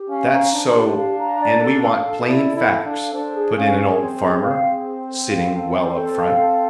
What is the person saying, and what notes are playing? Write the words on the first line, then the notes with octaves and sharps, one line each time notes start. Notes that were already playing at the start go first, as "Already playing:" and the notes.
"That's so--an' we want plain facts," put in an old farmer, sitting well up front.
Already playing: G4
C#4 F5
A#5
D4 C5
G4
F5
A#5
D5
A4
F5
A4
E4 D5
A4
E4
F5
D4
A4
D4 C5
G#4
C#4 F5
G#4
C4 C5
G#4
F5
G#4
C5
A4
F5
A4
C5
A4
F5
A4